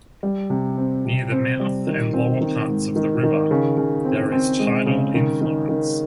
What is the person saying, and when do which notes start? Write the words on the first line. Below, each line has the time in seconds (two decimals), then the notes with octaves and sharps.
Near the mouth and lower parts of the river, there is tidal influence.
0.23 G3
0.50 C3
0.77 C4
1.05 C3
1.32 C4
1.60 G3
1.87 D#3
2.13 C4
2.41 D#3
2.69 G#2
2.96 D#3
3.23 D#3
3.51 C#3
3.77 C#3
4.05 C4
4.32 C4
4.59 G#3
4.86 C#3
5.14 D#3
5.41 D#3
5.69 D#3